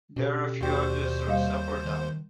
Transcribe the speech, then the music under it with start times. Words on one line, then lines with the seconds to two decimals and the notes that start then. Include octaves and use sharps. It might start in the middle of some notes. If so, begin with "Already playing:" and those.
There are few obvious routes up or down.
0.16 B2 C#4 G4 A4
0.61 D#2 F#4 G4 C5 D5 G5 C#6
1.27 G3 D#5 F5
1.85 D#3